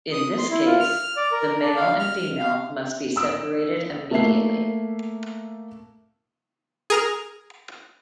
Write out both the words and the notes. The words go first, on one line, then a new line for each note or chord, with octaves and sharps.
In this case, the male and female must be separated immediately.
D#6
C6
E4
F4
F6
D5
A#4
D4
F5
F6
F5
D#6 E6 D7
A3 A#3 E5 C7
G#4 A#4 F6